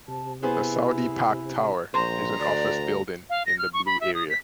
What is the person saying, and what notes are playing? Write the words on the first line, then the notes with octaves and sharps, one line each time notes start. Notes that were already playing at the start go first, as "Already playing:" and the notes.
The Saudi Pak Tower is an office building in the Blue Area.
C3 A5
B3 E4 G#4 C5
A#1 C5 A#5
D2 D5
F5
A#6
F6
C#6
B5
E5
D#6
B6